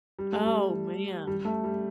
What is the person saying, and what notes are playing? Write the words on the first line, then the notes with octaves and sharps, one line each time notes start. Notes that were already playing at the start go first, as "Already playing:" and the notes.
Oh, man.
G3
A3
G3
G3
A3
G3